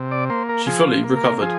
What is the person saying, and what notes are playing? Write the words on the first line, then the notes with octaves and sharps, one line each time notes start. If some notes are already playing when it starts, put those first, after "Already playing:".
She fully recovered.
Already playing: C3
D5
A#3 C5
A#4
F3 G#4
A#3
A#4
F3 G#4